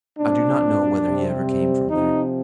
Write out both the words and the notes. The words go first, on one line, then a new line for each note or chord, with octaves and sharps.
I do not know whether he ever came from there.
A#2 G3 C4 D4
C3 G3 C4
C3 F3 C4 D#4